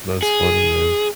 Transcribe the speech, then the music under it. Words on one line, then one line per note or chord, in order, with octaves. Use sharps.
That's funny, man.
G#4